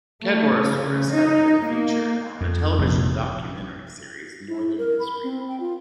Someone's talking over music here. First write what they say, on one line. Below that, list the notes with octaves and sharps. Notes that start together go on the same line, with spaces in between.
Cadborosaurus has been featured on the television documentary series "Northern Mysteries".
A3
C#3
D#4
A#3
F2
F1 A#1
E4
A#4
B5
C4
G5
F4